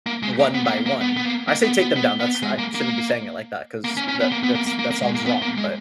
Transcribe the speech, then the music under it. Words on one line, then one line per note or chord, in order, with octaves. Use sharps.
one by one. I say take them down, that's I shouldn't be saying it like that ‘cause that that's that sounds wrong, but
A#3
G#3
A#3
B3
B3
A#3
A#3
B3
B3
A#3
A#3
B3
B3
B3
B3
G#3
A#3
A#3
A#3
C#4
C#4
B3
A#3
B3
A#3
A#3
A#3
A#3
G#3
A#3
B3
A#3
G#3